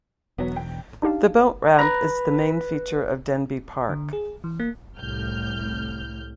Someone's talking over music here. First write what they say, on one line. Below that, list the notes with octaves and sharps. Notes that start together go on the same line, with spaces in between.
The boat ramp is the main feature of Denbigh Park.
E1 F#3 B3
G5
D4 D#4 G4 F5 A5
B4 A#5
D3
G#4
E3
A#3
C2 A2 F6 G6